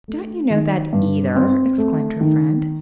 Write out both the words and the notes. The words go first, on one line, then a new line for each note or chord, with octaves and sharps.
"Don't you know that, either?" exclaimed her friend.
A3
D#3
G2
C4
A3
D#3